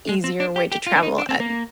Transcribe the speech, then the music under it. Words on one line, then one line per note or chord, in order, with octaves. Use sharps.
easier way to travel at
G#3
C4
D4
G4
G4
F4
D4
D#4
D4
C4
A#3